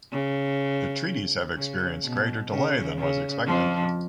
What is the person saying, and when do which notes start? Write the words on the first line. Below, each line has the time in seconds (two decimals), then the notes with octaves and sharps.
The treaties have experienced greater delay than was expected.
0.12 C#3
1.55 C#3
2.03 B2
2.51 C#3
2.98 C#3
3.47 F2 F3